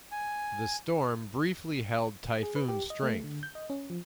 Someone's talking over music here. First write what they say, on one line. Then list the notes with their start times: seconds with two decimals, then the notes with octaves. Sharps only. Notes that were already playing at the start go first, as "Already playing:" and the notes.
The storm briefly held typhoon strength.
0.11 G#5
2.43 G#4
2.56 B4
2.68 G4
2.90 D#5
3.03 A3
3.24 D3
3.43 G6
3.55 D#5
3.70 C#4
3.90 F3